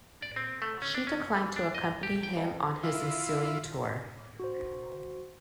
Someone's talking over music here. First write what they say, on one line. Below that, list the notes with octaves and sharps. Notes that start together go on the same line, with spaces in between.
She declined to accompany him on his ensuing tour.
D5
C4
A3
C#4
D4
C#4
E3
D4
D#5
G4
G5
F2
E4 F4
F#4 C5